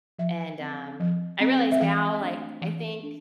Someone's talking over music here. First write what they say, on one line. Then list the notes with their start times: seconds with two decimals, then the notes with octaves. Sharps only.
And, um, I realized now, like, I think,
0.19 F3 E5
0.60 C4
1.00 F3
1.41 C4
1.72 E5
1.81 E3 F5
2.21 A3 D4
2.62 E3
3.03 D4